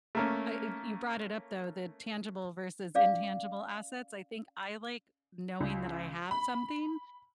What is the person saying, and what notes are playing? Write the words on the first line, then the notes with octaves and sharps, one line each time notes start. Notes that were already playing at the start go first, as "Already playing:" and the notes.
I it you brought it up, though, the tangible versus intangible assets, I think I like knowing that I have something,
A3 A#3 C#4
C#4 D5 F5 D6
C#2
B5